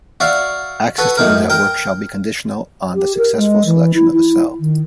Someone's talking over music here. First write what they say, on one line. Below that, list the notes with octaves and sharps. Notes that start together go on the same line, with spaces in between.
Access to the network shall be conditional on the successful selection of a cell.
F#4 D5 E5 F5
F#4 A4 B4
F#2 A2 D#4 A#4
A#4 G5
G4
A#4
G#3
E3
E4
E4
D#3